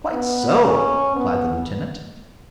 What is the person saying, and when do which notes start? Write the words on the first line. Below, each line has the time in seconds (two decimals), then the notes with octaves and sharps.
"Quite so," replied the lieutenant.
0.12 B3
0.64 C#4
1.16 B3